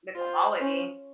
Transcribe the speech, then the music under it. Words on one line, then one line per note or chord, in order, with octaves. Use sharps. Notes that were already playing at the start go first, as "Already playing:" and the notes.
The quality,
F4 C5
C#4